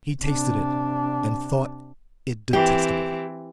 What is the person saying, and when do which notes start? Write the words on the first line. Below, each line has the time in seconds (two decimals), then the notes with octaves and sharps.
He tasted it, and thought it detestable.
0.22 C3 D4
2.53 E3 C4 G4